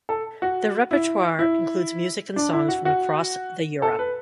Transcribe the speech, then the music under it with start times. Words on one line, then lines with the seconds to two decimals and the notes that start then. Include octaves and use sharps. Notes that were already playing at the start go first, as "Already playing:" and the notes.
Their repertoire includes music and songs from across the Europe.
0.09 A4
0.42 F#4
0.91 E4
1.39 E4
2.36 D4
2.53 E4
2.69 F#4
2.85 F#4
3.82 A4
3.99 B4